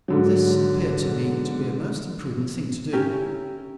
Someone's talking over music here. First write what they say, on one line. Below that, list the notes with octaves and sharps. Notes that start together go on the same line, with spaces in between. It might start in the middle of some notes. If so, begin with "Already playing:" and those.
This appeared to me to be a most imprudent thing to do.
G#2 D3 F#3
C#4 E4 G4 A#4